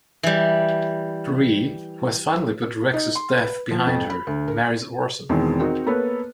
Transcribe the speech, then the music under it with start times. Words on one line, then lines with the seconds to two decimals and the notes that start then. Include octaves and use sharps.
Bree, who has finally put Rex's death behind her, marries Orson.
0.23 E3 G3
2.94 D#4
3.15 C6
3.37 B4
3.71 F3
3.87 F2
4.10 B5
4.27 D2
4.48 A#4
5.29 E2 B2 D#3 E3 G#3 C4
5.60 C4 D#4 F#4 A#4
5.86 A#3 B3 A4 B4 C#5